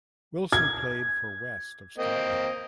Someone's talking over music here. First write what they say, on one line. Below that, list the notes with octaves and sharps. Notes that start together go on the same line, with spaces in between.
Wilson played for West of Scotland.
G#6
A#3 C4 D#5